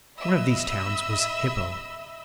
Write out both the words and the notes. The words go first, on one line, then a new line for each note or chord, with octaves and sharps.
One of these towns was Hippo.
D#5 E5 B5 E6